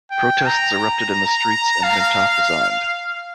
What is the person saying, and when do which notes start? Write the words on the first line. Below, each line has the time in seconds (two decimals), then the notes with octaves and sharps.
Protests erupted in the streets and Mintoff resigned.
0.11 G5
0.46 A#5
1.84 F5